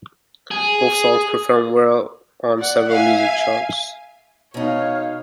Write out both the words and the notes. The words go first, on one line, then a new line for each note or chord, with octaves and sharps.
Both songs performed well on several music charts.
G#4
D5 F#5
E5 F5 G#5
B2 D#4 C#5 F5